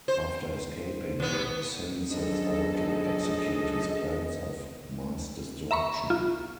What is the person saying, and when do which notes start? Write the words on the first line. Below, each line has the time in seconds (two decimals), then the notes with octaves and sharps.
After escaping, Sin sets out to execute his plans of mass destruction.
0.08 C5
1.20 D#2 B3
2.09 A#1 F#2 G#4 A4 D#5
5.71 E5 A#5 B5 C#6
6.10 F4